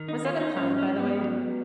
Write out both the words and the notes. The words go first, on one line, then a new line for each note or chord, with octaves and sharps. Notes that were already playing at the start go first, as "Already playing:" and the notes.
was that a pun, by the way?
Already playing: D#3
D#4
D#2 F4
D#4
G#2 C#4
C#4
G#2
B3
F#3